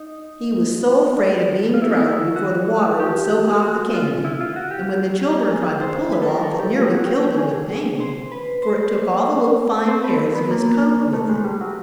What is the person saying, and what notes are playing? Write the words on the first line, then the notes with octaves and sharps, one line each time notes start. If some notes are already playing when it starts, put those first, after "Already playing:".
He was so afraid of being drowned before the water would soak off the candy and when the children tried to pull it off it nearly killed him with pain, for it took all the little fine hairs of his coat with it.
Already playing: D#4
F4
E4
D#4
E4
F#4
G4
F#4
F4
E4
F4
F#4
G4
G#4
C5
B4
A4
A#4
A4
G4
F4
F#4
G4
G4
G#4
C5
B4
C5
C5
B4
B3
A#3
A3
G#3
G3
F#3